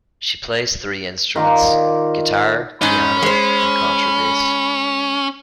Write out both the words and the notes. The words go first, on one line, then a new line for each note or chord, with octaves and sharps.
She plays three instruments; guitar, piano and contrabass.
D#3 F4 D5 A#5
G#2 C#4 D#4 B5
G#3 C5